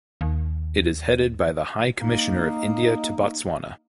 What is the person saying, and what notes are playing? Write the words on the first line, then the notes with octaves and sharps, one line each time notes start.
It is headed by the High Commissioner of India to Botswana.
D#2
A#3 D#4